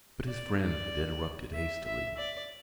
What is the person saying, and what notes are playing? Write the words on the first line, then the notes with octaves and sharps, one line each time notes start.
But his friend had interrupted hastily.
D5
D5
E5
E5
D5